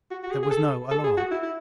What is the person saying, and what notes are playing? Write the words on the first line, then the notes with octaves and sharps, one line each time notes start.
There was no alarm.
F#4
F#4
G#4
G#4
A4
A4
G#4
F#4
E4
E4